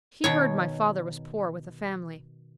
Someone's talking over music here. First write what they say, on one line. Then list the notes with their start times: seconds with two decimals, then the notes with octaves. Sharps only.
He heard my father was poor, with a family.
0.24 B2 D#3 C#5